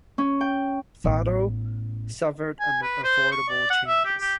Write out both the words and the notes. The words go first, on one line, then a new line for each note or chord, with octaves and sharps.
Fado suffered unavoidable changes.
C#4
G5
A1 B3
G#5
B4
C5
C#6
D5
F#5
E5
G4
G4